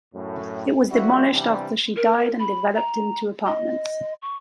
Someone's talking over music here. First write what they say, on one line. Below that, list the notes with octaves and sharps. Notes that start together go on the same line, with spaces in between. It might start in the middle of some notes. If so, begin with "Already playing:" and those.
It was demolished after she died and developed into apartments.
F#2 A2
F3 G3 A3 E4 F#4
C3 E3 G3 B3 D4
A#4
B5
A#5
D#5
C#6